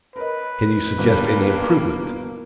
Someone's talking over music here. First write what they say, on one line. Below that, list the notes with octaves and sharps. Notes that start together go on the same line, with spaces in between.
Can you suggest any improvement?
A#4 B4 C#5 D#5
G1 G2 B2 A#3